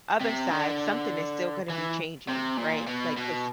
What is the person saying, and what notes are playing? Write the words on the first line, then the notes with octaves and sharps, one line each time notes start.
other side, something is still gonna be changing, right, like, 'cause
C3
D3
E3
C3
A#2
B2
B2